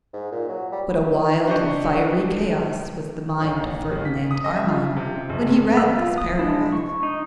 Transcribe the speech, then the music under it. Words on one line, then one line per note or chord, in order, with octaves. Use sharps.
What a wild and fiery chaos was the mind of Ferdinand Armine when he read this paragraph.
G#2
A#2
F#3
G3
D4 E4 G4 C5 D#5 C#6
A1
A1
B6
D#6
D#5
E5
F4
C3
F#1
A#3 E6
F4
D#6
G#3 D4 E4
C#6
D#4